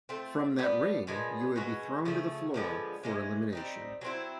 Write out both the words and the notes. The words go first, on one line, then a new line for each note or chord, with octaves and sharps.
From that ring you would be thrown to the floor for elimination.
A3 C4 F4
G3 B3 D4
A#2 F3 G#3 B3
B2 G#3 C#4 F#4
C#3 F3 A3
D3 F3 G#3 B3
C3 E3 G#3 C#4
G3 C4 D#4
F#3 A3 C4 E4